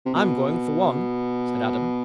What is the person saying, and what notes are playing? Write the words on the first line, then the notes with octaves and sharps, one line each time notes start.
"I'm going, for one," said Adam.
C3
B2